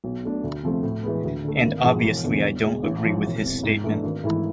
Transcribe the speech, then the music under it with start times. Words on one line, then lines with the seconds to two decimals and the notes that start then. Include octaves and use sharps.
And obviously I don't agree with his statement.
0.04 B1
0.23 B2 A3 D4
0.44 D2
0.64 C3 F3 A3 C4
0.83 A2
1.03 E3 G#3 B3
1.24 D2
1.44 D3 A3
1.64 G#1
1.84 G#2 F3 G#3
2.04 E1
2.24 E2 D3
2.44 E2
2.64 B2 G#3
2.84 A1
3.04 G#2 F3
3.24 E1
3.44 E2 C3
3.63 G#2
3.84 E3 A3 D4
4.04 G#1
4.24 G#2 E3 A3 E4